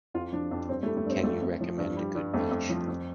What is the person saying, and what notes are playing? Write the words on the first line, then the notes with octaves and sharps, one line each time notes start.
Can you recommend a good beach?
F2 F4
F3 D4
F2 D4
G2 C4
A3
G3
A3
G2 C4
F2 A3
F2
F3
G2
G3
G2
F2 A3
F2
F3
F2